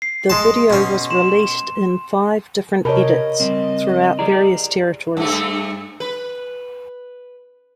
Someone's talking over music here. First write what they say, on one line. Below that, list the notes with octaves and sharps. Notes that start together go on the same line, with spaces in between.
The video was released in five different edits throughout various territories.
C7
G#3 A5 C6
B2 C#4
C6 E7
C3 G4 A#4 C#5 D#5 A5 B5
C#3 G3 C4
E4 G4 G#4 D5
G2 A3
B4